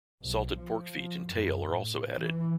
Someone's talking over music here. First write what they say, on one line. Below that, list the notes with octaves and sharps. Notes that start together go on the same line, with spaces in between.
Salted pork feet and tail are also added.
B1
F3
F#2
A2
E3